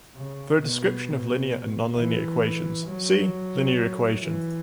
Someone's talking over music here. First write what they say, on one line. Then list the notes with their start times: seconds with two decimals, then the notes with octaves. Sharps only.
For a description of linear and nonlinear equations, see "linear equation".
0.15 C#3
0.60 B2
1.95 E3
2.85 F#3
4.20 E3